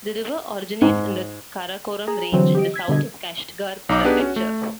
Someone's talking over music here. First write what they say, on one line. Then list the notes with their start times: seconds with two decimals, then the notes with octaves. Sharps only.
The river originates in the Karakoram range in the south of the Kashgar Prefecture.
0.82 G#2
2.07 G#4 A#5
2.32 D3 E3 F#3 C4
2.55 G4 D#5 D7
2.74 E6 G#6 B6
2.88 B2 D3 G3 D#5 G#6
3.89 B1 D#4 D6
4.04 B3 D4 D#4 G4 G#4 B4
4.20 C#4 F#4
4.36 A3